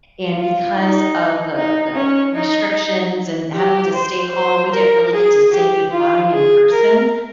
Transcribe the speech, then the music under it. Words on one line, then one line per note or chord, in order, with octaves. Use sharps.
and because of the the restrictions and having to stay home, we didn't really get to say goodbye in person,
F4
D#4
D#4
C#4
D#4
G4
C5
C5
A#4
G#4
G4
F4
G#4
A#4